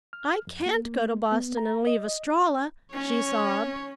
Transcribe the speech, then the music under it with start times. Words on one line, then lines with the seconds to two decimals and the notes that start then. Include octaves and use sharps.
"I can't go to Boston and leave Estralla!" she sobbed.
0.13 F6
0.47 F2
0.66 A#3
0.86 A#3
1.32 B3
1.57 A#5
1.87 D#5
2.94 C#4 C#5